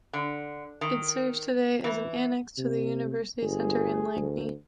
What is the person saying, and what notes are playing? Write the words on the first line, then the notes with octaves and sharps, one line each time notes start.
It serves today as an annex to the university center in Lagny.
D3
D#3
E3
C3
G1 G#4
D2